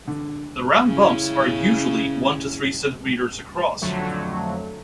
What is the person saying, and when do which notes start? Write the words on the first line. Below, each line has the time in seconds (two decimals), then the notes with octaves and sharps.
The round bumps are usually one to three centimeters across.
0.07 D3
0.85 C#3 C#4 E4
3.81 F2 D3 F#3 A3